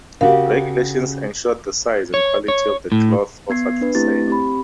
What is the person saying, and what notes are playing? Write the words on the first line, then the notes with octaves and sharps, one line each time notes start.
Regulations ensured the size and quality of the cloth offered for sale.
C#3 F#4 G4 A#4 F5
C#5
C#5
A2
B3 G#6 C7
D4 B4
A3 C4 E4 G4 A6
C4 G4 B5